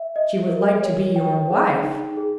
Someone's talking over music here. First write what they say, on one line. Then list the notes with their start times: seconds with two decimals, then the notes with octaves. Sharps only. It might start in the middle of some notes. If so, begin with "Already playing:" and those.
"She would like to be your wife!"
Already playing: E5
0.16 D#5
0.49 A#4
0.82 C#5
1.16 G5
1.50 G#4
1.84 D#4
2.17 G#4